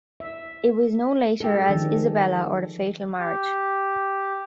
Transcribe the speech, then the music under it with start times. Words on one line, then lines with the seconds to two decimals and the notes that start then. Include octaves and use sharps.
It was known later as "Isabella, or The Fatal Marriage".
0.20 E5
1.40 G#3 G4 A4
1.69 D#3 F3 D4
3.19 G4